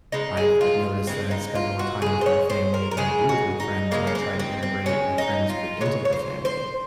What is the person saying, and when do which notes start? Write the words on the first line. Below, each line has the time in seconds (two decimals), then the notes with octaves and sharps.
I've I've noticed that I spend more time with my family than I do with my friends, or I try to integrate my friends w into the family.
0.12 C#3 G#3 D#4
0.37 G#4
0.61 F4
1.07 C#3 G#3 C4
1.31 D#4
1.55 F4
1.79 F#4
2.02 C#3 G#3 G#4
2.21 C5
2.26 C#5
2.50 C5
2.74 A#4
2.91 A#4
2.97 C#3 G#3 G#4
3.29 F#4
3.60 D#4
3.91 C#3 G#3 A#3
4.07 C#4
4.15 C4
4.39 C4
4.63 C4
4.86 C#3 G#3 C#4
5.18 D#4
5.50 F4
5.81 C#3 G#3 C#5
6.05 C#5
6.13 C5
6.45 C5